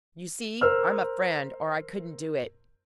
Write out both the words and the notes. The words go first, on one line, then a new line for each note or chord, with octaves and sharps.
You see I'm a friend, or I couldn't do it.
A#4 C5 E6 F6